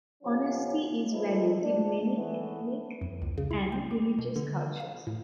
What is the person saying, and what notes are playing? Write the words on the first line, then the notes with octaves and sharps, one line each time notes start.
Honesty is valued in many ethnic and religious cultures.
C3 D#3 F3 F#3 C#4
F3 G#3 D#4 E4 A4 B4
G#2 D4
E3 A3 B3
F2
C#2
C#3
E4
G5
D6
B2
D3
F5
A2